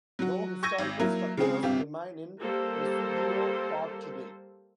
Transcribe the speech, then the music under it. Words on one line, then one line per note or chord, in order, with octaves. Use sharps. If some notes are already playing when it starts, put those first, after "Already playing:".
No historical structures remain in Presidio Park today.
F#3 F#4
C#6 E6 G6 G#6 A#6 D#7
G#1
F#3 A#3 E4 A#4
C#3 G#3 C4 G#4
G1 C3 G4 F5
G3 A#3 A4 A#4 C5